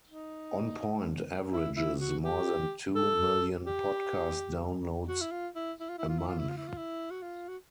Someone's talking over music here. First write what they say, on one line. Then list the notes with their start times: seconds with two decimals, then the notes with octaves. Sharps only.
"On Point" averages more than two million podcast downloads a month.
0.09 D#4
1.53 E4
1.77 E4
2.00 F#4
2.24 G4
2.95 A4
3.66 G4
5.08 F#4
5.21 E4
5.32 F4
5.56 E4
5.80 E4
5.89 F4
5.99 E4
6.09 F4
6.18 E4
6.28 F4
6.39 E4
6.49 F4
6.57 E4
6.68 F4
6.77 E4
7.11 F#4
7.22 F4
7.48 F#4